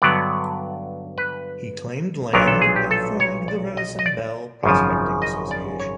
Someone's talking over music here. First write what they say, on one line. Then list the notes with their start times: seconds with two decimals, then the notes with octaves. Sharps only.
He claimed land and formed the Renison Bell Prospecting Association.
0.02 G2 D3 F#3 B3 D5
1.18 B4
2.33 B1 A#2 F#3 B3 D4 A#4
2.48 A4
2.62 G#4
2.76 G4
2.91 A4
3.20 C#5
3.48 D5
3.77 D#5
3.99 D#5
4.06 D5
4.64 G#1 F#2 C#3 F3
5.22 D#5
5.51 D5
5.80 C#5